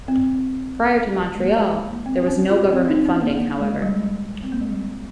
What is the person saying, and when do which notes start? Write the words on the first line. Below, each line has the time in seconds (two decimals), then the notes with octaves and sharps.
Prior to Montreal, there was no government funding, however.
0.08 C4
1.35 G#3
1.41 A#3
1.57 G#3
1.90 A#3
2.06 C4
2.28 C#4
2.50 F4
2.72 C4
2.88 D#4
3.05 C#4
3.21 A#3
3.37 A#3
3.60 G#3
3.82 G3
3.93 G#3
4.03 G3
4.43 C4
4.52 A#3
4.61 G#3
4.70 G3